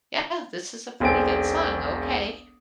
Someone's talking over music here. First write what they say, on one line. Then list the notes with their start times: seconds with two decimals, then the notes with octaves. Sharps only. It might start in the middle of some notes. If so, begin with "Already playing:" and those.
yeah, this is a pretty good song. Okay,
1.00 E1 B1 C4 G#4 G#5 D7